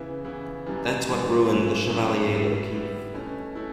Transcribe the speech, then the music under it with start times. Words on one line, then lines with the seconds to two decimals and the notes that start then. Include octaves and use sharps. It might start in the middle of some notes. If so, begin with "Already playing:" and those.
That's what ruined the Chevalier O'Keefe.
Already playing: C#3 E3 B3 E4
0.25 C#3 E3 B3 E4
0.66 F#2 E3 G3
1.08 F#2 E3 G3
1.48 G2 D3 F#3 C#4 E4
1.90 G2 D3 F#3 C#4 E4
2.32 D3 G3 B3 E4
2.72 D3 G3 B3 E4
3.14 B2 A3 C#4 E4
3.55 A3 C#4 E4